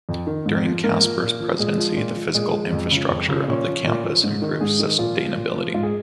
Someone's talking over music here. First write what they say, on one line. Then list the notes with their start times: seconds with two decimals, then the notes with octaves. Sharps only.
During Casper's presidency, the physical infrastructure of the campus improved substantially.
0.09 F2
0.27 D#3
0.46 G#2
0.65 F3
0.84 G#2 A#3 A#4
1.03 F3
1.22 A#2
1.40 F3
1.59 A#2 G#3 G#4
1.78 F3
1.96 A#2
2.15 F3
2.34 A#2 G#3 G#4
2.53 F3
2.72 F2
2.91 C#3 F3
3.10 F2
3.28 C#3 F3
3.47 A#2 C#4
3.67 F3
3.86 A#2
4.04 F3
4.23 G#2
4.42 D#3
4.60 G#2 G#3 G#4
4.80 D#3
4.98 A#2 F3 F4
5.18 F3
5.36 A#2
5.55 F3
5.74 G#2 F4
5.83 G#4